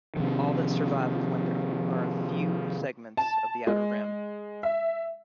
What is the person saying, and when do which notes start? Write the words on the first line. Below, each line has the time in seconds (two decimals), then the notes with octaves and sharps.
All that survives of Winthrop are a few segments of the outer rim.
0.16 C3 D#3 F3
3.17 A5
3.67 G#3
4.63 E5